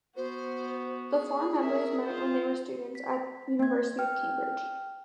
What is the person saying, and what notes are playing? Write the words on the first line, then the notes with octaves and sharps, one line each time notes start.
The four members met when they were students at University of Cambridge.
B3 F#4 C5
G#4
A#4 E5
F4 C5
B6
A#3 G#6
G5 F6